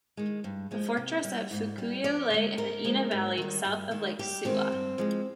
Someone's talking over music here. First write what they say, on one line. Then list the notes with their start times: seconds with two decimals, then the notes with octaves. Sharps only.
The fortress at Fukuyo lay in the Ina valley, south of Lake Suwa.
0.17 D#3 G#3
0.44 G2
0.71 F3 G#3
0.97 C3
1.24 G3
1.51 G#2
1.78 G3
2.04 F2 D5
2.30 D3 G#3
2.58 G#2 A#4
2.84 F3 G#3
3.11 G#2
3.38 D#3 G3
3.65 G2
3.91 D#3 G#3
4.19 G2 G4
4.45 D#3 G#3 C4
4.72 G2
4.98 F3 G#3